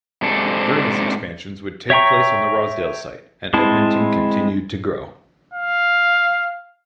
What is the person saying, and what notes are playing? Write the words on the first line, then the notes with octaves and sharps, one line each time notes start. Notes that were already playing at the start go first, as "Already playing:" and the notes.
Various expansions would take place on the Rossdale site and Edmonton continued to grow.
G#2 C3 D4 A4
C#5 E5 G5 A#5 C#6
G#3 C4 E4 A5
F5